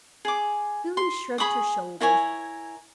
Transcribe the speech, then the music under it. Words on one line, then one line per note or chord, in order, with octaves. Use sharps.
Billy shrugged her shoulders.
G#4 D6
C6
G#4 B5 C#6 D#6
E4 A#4 C#5 G#5